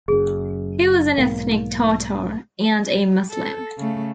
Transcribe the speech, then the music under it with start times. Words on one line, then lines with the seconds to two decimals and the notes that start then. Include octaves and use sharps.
He was an ethnic Tatar, and a Muslim.
0.08 F#1 F#2 G#4
1.18 B1 G#2 A#3
3.30 A4
3.78 C#3 A3